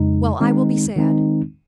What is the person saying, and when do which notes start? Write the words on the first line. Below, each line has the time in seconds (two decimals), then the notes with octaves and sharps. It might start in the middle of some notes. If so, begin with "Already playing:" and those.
"Well, I will be sad."
Already playing: F2 C#3 G#3 D#4
0.40 D#3 G#3 C4 D#4
0.96 D#3 G#3 C4 D#4